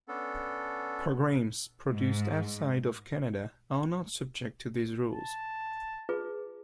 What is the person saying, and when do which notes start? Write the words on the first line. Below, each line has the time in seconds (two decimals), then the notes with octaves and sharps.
Programs produced outside of Canada are not subject to these rules.
0.08 B3 C#4 D4 A4
1.88 G#2
5.12 A5
6.09 F4 G#4 B4